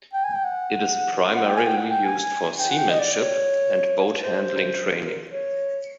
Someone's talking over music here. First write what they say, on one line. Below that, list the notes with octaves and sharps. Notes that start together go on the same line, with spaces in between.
It is primarily used for seamanship and boat handling training.
G5
G#5
G5
F#5
F#5
G5
G#5
G5
F#5
G5
G#5
G5
F#5
G5
D#5
D5
D5
C#5
C5
A#4
C#5